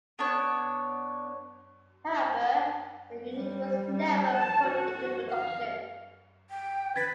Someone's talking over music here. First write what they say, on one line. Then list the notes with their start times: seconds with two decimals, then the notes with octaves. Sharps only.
However the unit was never put into production.
0.19 B3 D4 C#5
3.35 G3
4.33 A5
4.68 F#4
5.31 F5
6.50 G5
6.96 B4 G#6 A6 B6